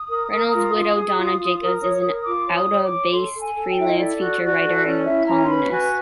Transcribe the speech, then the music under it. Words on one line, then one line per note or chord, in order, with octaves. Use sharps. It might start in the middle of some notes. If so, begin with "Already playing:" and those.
Reynolds' widow, Donna Jacobs, is an Ottawa-based freelance feature writer and columnist.
Already playing: D#6
A#4
A#4
F4
F4
G#4
F4
F4
A#4
C#5
A#4
F4 D6
C#5
D#6
C#5
D6
C#5
A4 C6
A4
G#5
A4
G5
E4 E5
D#5
A4 D5
F#4
F#4
A4
C#4 D5
E4 E5
C#4 A#5
C6
B4 B5
F#4 G#5